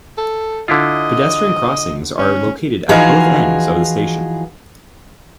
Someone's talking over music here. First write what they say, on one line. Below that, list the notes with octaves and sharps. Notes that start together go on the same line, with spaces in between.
Pedestrian crossings are located at both ends of the station.
A4
D3 E4 F4 D#5
C#4
E3 F3 D#4 F4 F#4 G#4